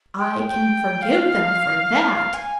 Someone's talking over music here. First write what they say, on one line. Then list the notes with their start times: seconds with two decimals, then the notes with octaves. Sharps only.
I can forgive them for that.
0.18 G5
0.47 G5
1.02 F5
2.14 F5
2.34 G#5